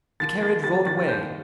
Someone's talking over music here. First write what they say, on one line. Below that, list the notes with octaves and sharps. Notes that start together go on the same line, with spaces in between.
The carriage rolled away.
D#2 A6
D#2 A6
G3 A6
D#3 A6
D#2 G6